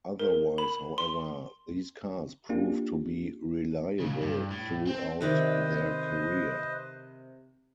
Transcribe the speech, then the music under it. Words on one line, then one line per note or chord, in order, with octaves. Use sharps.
Otherwise, however, these cars proved to be reliable throughout their career.
A#4
B5
C6
A#3 D4 F4 G4
A#2 C#3
G2
A2
C4
C3 D#3 B4 C5 D5 D#5